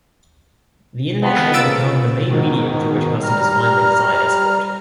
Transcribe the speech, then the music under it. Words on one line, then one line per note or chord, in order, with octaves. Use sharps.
The internet has become the main medium through which customers find their desired escort.
F2 B3
C#3 A#3 F4 E6 A6 D7
G#2 B2 D#3
G3 A#5 F6